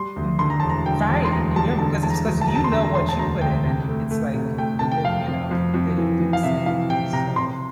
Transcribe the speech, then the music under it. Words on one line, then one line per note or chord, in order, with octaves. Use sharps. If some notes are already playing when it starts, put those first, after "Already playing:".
w Mhm, right, you're 'cause it's 'cause you know what you put in and y it's like, they didn't you know, they didn't do the same, so
Already playing: G3 C6
D2
D3 C6
A#5
E1 A5
A#5
D3 G5
E1 A5
C6
D2 A#5
G3 A5
D3 A5
E1 A5
A#5
D2
A5
E1 A#5
A5
C6
D3 A#5
A#5
E1 C6
A5
D2 A#5
D2 G5
C3
A3
A3
C3
A3 G5
C3 A5
G5
F2 F5
F2
F2
F2
E3
E3
F5
C3 E5
E3 F5
C3 G5
C3 A#5
C3 C6